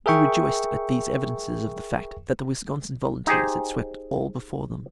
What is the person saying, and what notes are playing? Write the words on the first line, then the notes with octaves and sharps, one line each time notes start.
We rejoiced at these evidences of the fact that the Wisconsin Volunteers had swept all before them.
G#4 A#4 E5 G5 C#6
D#4 G4 G#4 C5